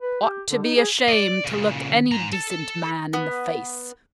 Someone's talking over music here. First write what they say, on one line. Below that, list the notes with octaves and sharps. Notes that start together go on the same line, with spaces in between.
Ought to be ashamed to look any decent man in the face.
B4
G4
D3
D#4
G#4
D5 D#5
A#2 C#3
G#2 A#5
A4
B3